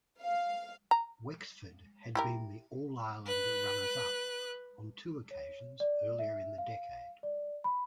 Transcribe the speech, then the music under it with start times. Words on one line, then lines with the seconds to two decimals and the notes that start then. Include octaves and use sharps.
Wexford had been the All-Ireland runners-up on two occasions earlier in the decade.
0.22 F5
0.91 A#5
2.15 E4 G4 A#4
3.26 B4 F#6
5.31 C#5
5.80 D5
6.19 E5
6.58 F5
7.23 D5
7.64 B5